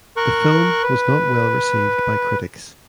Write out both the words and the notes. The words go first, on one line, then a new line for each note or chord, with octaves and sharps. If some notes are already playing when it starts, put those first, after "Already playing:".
The film was not well received by critics.
A#4 C#6 F#6
B4